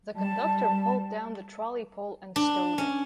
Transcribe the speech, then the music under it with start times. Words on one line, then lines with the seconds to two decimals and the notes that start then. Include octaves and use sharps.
The conductor pulled down the trolley pole and stowed it.
0.16 G3 A5
2.36 D4
2.78 C#4